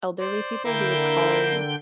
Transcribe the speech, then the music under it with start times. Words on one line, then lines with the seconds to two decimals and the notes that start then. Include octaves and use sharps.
elderly people who would call and
0.20 C5 D5
0.65 D3 A#3 E4 A#4 G5 G6